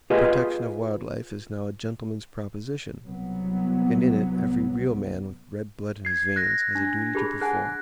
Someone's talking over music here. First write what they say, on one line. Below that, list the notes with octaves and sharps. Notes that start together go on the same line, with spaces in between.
The protection of wild life is now a gentleman's proposition, and in it every real man with red blood in his veins has a duty to perform.
F4 G4 G#4 B4 D#5
C2 F#3 B3
G#6 C7
F#6 A#6
D4
G4 G#4 B5
G#4 F#5 G#5 F#6